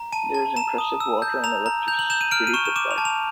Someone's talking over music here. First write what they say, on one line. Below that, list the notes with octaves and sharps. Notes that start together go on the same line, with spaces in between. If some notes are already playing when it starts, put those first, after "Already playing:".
There is impressive water and electricity supply.
Already playing: A#5
A5 D#7
A5
A#5 E7
D#6
E6
G6
A#5 F7
A#5
G6 F7
F#7
G6 E7
D#7
F6 D7
D#7
C#6 E7
E7
D6 E7
F7
A5
F7